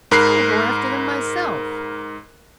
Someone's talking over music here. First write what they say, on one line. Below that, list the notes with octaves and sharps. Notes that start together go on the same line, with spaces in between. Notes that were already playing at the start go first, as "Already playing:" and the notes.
'I will go after them myself.
G#2 A#4 B5 F#6 C7